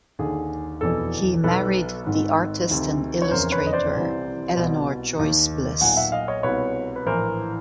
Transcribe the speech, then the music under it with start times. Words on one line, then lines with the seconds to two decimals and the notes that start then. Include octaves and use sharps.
He married the artist and illustrator Eleanor Joyce Bliss.
0.19 D#2 D3 G#4
0.81 F1 E2 B2 A4
1.44 B1 B2 A4 B4
2.06 G#1 G#2 D#3
2.69 D2 C3 D#3
3.22 C#5
3.31 F1 E2 C#3 E3 A#4 C5
3.52 B4 C#5
3.67 D#5
3.73 C5 D5
3.94 C2 C3 E3
4.57 C2 B2
5.19 D#2 D#3
5.81 B1 A#2 F#5 G#5
5.97 E5 F#5
6.12 D#5 F5
6.28 C#5 D#5
6.43 C2 B2 B4 C#5
6.96 B4
7.06 A#1 A2 E3 A#4 C5